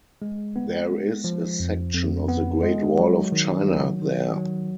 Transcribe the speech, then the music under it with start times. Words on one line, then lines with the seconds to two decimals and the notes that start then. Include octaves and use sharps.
There is a section of the Great Wall of China there.
0.22 G#3
0.56 B3
0.90 G#3
1.24 F3
1.59 F2
1.94 F2
2.28 B3
2.63 G#3
2.98 F#3
3.32 D#3
3.67 F#3
4.02 D#3
4.36 F#3